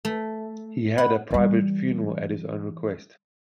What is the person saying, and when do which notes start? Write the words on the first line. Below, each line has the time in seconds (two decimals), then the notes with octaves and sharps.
He had a private funeral at his own request.
0.05 A3
0.98 F#5 B5
1.31 E3 G3